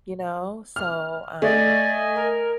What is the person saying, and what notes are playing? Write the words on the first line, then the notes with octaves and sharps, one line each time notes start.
You know? So, um
F6
A3 D5 D#5 G#5
A#4